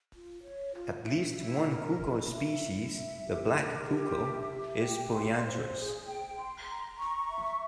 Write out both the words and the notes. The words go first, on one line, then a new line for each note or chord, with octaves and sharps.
At least one coucal species, the black coucal, is polyandrous.
F4
C#5
F4
E5
E4
A#4
E4
E5
E4
E5
G4
A#4
G4
E5
G4
G5
C6
C5
G#4
G5
C6
A#5
C#6
E5